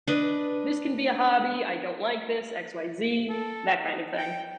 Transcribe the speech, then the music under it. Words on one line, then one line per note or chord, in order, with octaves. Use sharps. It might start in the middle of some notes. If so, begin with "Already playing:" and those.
this can be a hobby. I don't like this, X, Y, Z, that kind of thing."
D4 B4 D#5
A4
D#4
G5